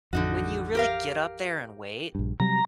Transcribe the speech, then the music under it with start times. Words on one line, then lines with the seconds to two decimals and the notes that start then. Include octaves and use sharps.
when you really get up there in weight,
0.13 A1 F2 D3 D#4 F#4
0.75 G4 A#4 F5
2.15 A#1 G2
2.40 C3 F#3 G3 A#5